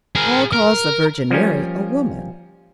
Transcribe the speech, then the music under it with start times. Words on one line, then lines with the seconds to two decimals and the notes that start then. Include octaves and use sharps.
Paul calls the Virgin Mary a woman.
0.15 G#4 A#4
0.53 A#4
1.31 F3 G3 A#3 C#4